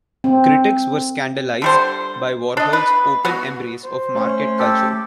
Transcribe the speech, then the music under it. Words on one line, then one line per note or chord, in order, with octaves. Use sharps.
Critics were scandalized by Warhol's open embrace of market culture.
C4
D3 G3 C5
D4 D#5
B4
B3 F#4
C5
A3 C#4
G4 A4